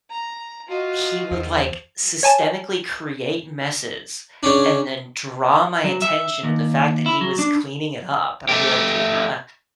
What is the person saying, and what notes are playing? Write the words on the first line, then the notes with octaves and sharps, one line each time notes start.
he would, like, systemically create messes and then draw my attention to the fact that he was cleaning it up. And I'd be like, "Yeah.
A#5
F4 F#4 D#5
E2 C5
C#5 G#5 A5
C#3 C#4 D4
F#3
E5
D#2
E4
F#3
D4
A3 G4